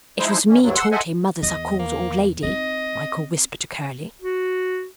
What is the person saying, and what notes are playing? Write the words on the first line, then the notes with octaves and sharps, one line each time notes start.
'It was me told him mothers are called old lady,' Michael whispered to Curly.
F3 G#3 D#4 E4 C5
D#3 A#3 C#4
D2 G2 D3 F#3
F#5 C6 E6
A4 C5 D#5 E5 F#5 G#5
E2 D#5
A#3
C4 D#4 D#5
F#4